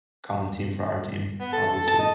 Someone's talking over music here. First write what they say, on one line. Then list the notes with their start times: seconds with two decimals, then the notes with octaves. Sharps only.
common team, for our team, obviously.
1.39 B3
1.53 A4
1.68 A4
1.88 A5
1.99 D#5